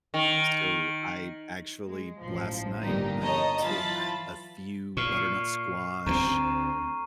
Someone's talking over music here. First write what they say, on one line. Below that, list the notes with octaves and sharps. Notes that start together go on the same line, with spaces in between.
So, I actually last night, I took a few butternut squash,
D#3
G#3
A1 F3
G1 G2 A#2 D#3 D#4 G4
C#5 D#5 A5 A#5
E3 F#3 F4 A5 B5 A6
A#2 C#6 F6 C7
D2 A3 C4 A#5 C#6 D#7